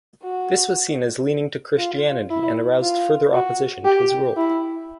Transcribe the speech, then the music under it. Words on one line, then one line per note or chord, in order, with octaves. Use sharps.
This was seen as leaning to Christianity and aroused further opposition to his rule.
F#4
F4
E4
F4
F#4
G4
E4